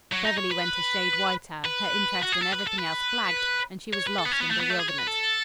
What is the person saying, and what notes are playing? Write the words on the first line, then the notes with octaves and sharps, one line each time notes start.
Beverly went a shade whiter; her interest in everything else flagged, and she was lost in bewilderment.
F#3
D#4
C#5
B4
B4
F#4
G#4
A4
B4
A4
B4
C#5
B4
A4
B3
C#4
B3
A3
B3
A3
G#4
C#5
B4
A4